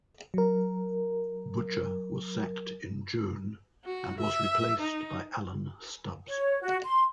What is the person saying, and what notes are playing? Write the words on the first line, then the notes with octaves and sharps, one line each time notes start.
Butcher was sacked in June and was replaced by Alan Stubbs.
F#3 A#4
F#4
E5
D#4
C#5
F#4
C6